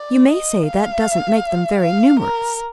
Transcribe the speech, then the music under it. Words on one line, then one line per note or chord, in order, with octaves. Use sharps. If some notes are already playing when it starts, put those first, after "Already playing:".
You may say that doesn't make them very numerous!
Already playing: D5
D#5
F5
F5
A#4